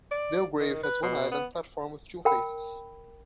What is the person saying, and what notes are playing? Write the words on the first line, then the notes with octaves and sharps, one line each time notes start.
Belgrave has one island platform with two faces.
D5
D#3
B4
B2
B3
A#4 G5 B5